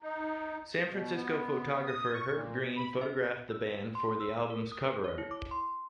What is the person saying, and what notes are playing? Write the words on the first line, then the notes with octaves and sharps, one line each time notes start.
San Francisco photographer Herb Greene photographed the band for the album's cover art.
D#4
B2
B3
D#6
C#6
A#2
B5
E5
E6
C6
E6
A#4
D#6
C#5
E4
D6
C6